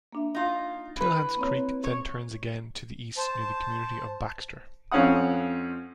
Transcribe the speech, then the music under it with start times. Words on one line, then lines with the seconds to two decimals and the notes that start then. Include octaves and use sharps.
Tilhance Creek then turns again to the east near the community of Baxter.
0.12 A#3 D4 E5
0.35 D#4 F4
0.96 E3 B4
1.37 A#3 C4 C#5
1.84 C#5
3.18 C5 A5
4.91 F2 C4 C#4 F5 F#5 D#6